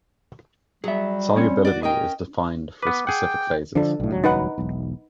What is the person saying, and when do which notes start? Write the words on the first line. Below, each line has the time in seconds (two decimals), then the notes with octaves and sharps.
Solubility is defined for specific phases.
0.84 F#3 G3 G#4 E5
1.36 C4 C#4 C#5
1.65 F#4 D5
1.83 C#4 A#4 D#5 G5
2.82 B3 B4 D6
3.07 G#4 F#5 G5
3.75 D3 F3 D4 A4
4.00 B1 A2
4.12 D#1 C#2 F#3
4.24 D#4 B4 F#5
4.58 E1 B1